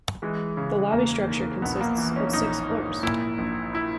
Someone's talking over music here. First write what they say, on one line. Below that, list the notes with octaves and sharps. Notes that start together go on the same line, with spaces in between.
The lobby structure consists of six floors.
E3 G#3
C#3
E1 A#3
D#2
A#1 B3
A#3
E3
C#4
A#1 D#4
G#2
A#2 E4
A#1
E4